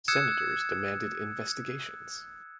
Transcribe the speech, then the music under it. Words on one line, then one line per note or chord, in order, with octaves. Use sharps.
Senators demanded investigations.
D#6 E6 F#6 G#6 C#7 E7